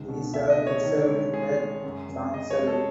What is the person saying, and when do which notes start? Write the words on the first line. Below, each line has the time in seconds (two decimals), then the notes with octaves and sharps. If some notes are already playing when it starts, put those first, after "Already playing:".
These are preserved in the chancel.
Already playing: C#2 G#2
0.08 B2
0.33 C#2 E5
0.50 D#5
0.59 A3
0.67 C#5
0.84 D#3
1.09 G#3
1.34 G#3 G#4
1.59 G#3
1.84 F#2
2.09 F#2
2.34 C#3 D#5
2.51 C#5
2.59 G#3
2.67 A4